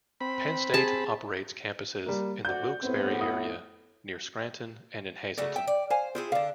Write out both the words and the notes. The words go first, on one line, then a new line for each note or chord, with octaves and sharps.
Penn State operates campuses in the Wilkes-Barre area, near Scranton and in Hazleton.
C4 B5
G#4 A5
G3 A#3
D2 F#4 D5 G6
A2 B3 C4
E4 D#6
C#3 A3 F#4 D5
E5 G5
D5
C5 F5 G#5
C4 E4 F4 G#4 C5
D3 D4 D5 F5